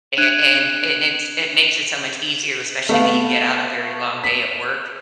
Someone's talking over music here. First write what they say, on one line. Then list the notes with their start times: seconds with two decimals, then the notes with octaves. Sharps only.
a and and it's it makes it so much easier, especially when you get out a very long day at work.
0.18 D4 F#6 G#6 D#7
2.89 A3 B3 F5
4.24 B6